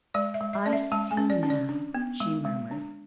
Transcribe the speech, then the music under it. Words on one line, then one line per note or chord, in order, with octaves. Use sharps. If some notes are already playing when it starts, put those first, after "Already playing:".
"I see now," she murmured.
G#3 D5
E5
G#3
E5
C#4 D5
E5
G#3 A5
G#5
C#4
D5
C#4
D5
D4
B3
G#3
G#3
D4